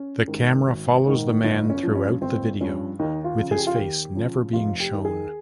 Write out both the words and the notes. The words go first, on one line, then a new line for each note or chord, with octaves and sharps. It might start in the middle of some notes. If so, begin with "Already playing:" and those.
The camera follows the man throughout the video, with his face never being shown.
Already playing: C#4
G#2 D#3
G#1
G#2 D#3
G1 D#4
C#4
G2 F3
C#4
G1 C4
G2 F3 C#4
D#2 D#4
F4
C#3 F3
G#4
G4
F4
D#2 G4
C#3 F3
F1 F4
G4
D#2 D#3
G#4